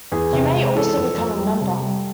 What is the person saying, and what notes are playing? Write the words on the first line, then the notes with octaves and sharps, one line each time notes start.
You may also become a member.
E2 G#4
C3
G#3
E3 A4
F2
F2
G3
C3
G3